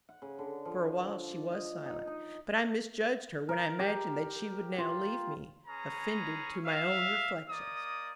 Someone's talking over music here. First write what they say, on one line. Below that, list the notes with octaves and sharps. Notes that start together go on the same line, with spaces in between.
For a while she was silent, but I misjudged her when I imagined that she would now leave me, offended, to my own reflections.
F#5
C#3
D3
F3
D5
D5
D#5
D#4
D#4
A#4
G4
F4
C#4 G#4 B4 A#5
E5 F5
A#3 D5 D#5 D#6